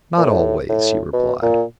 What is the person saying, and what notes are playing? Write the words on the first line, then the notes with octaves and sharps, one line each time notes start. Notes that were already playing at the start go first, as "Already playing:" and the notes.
"Not always," he replied.
A#2
A2
A2
B2
A#2